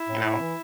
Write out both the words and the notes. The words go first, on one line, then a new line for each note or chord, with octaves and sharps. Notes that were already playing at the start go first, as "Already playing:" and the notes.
You know?
Already playing: E4
A2
A2
E3